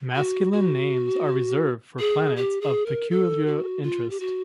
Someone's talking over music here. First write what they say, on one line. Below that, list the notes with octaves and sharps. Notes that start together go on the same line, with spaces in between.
Masculine names are reserved for planets of peculiar interest.
F#4
F#4
G#4
G4
G#4
A#4
A4
F#4
F4
G4
F#4